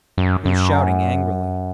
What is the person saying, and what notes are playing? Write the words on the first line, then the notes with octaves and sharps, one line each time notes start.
He was shouting angrily.
F#2
F#2